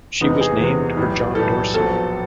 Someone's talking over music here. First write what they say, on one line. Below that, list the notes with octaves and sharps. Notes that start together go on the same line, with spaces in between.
She was named for John Dorsey.
E2 C3 E3 G#3 B3 D#4
G#4
E2 C3 E3 G#3 B3
B1 A2 E3 G3
B1 A2 E3 G3 A4
A#1 A#2 F#3 B3 A4